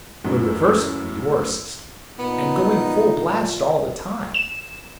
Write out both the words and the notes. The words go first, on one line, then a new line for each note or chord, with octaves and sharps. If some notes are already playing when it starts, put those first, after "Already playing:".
The reverse of your system, and going full blast all the time.
A1 F#2 A2
A#2 B3 D#4
E7